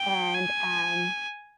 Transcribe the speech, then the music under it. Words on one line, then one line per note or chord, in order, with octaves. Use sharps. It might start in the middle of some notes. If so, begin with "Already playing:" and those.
and, um,
Already playing: G5
G#5